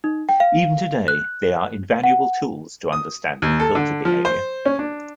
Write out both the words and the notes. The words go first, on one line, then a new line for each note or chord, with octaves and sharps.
Even today, they are invaluable tools to understanding filter behavior.
D#4
G5
F5
F#6
F#5
D#6
D#2
A4
D3
F3
C5
C#4
D4